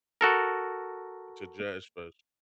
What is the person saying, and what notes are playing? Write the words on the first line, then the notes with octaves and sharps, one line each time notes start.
To Jazz Fest.
F#4 A4 A#4